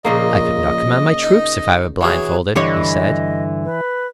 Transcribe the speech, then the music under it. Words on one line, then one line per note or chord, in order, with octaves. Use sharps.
"I could not command my troops if I were blindfolded," he said.
A#1 A#2 C#3 A#3 D#5
D#4
E3 F#3 G#4
G2 D3 E3 C#5 D#5
B4